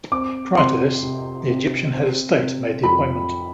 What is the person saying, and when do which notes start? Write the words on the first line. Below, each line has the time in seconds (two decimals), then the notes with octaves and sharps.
Prior to this, the Egyptian head of state made the appointment.
0.12 C4 D6
0.57 C4 C6
1.03 C3
1.48 C3
1.93 C4
2.39 C3
2.83 F2 B5